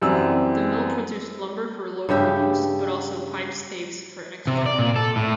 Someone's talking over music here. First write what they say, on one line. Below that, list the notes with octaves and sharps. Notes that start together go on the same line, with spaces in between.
The mill produced lumber for local use, but also pipe-staves for export.
F#2 E3 G3 C4 E6
G2 C#3 G4 E5
C3
D5
A#2
A4
A2